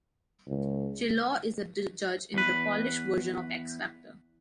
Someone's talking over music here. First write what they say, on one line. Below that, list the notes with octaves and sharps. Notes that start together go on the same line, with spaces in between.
Czesław is a judge in the Polish version of X-Factor.
C#2
E2 B4